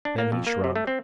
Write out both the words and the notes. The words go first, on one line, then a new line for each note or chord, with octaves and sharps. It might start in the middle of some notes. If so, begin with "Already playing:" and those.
Then he shrugged.
D4
A#3
F2
A#3
C3
A3
C4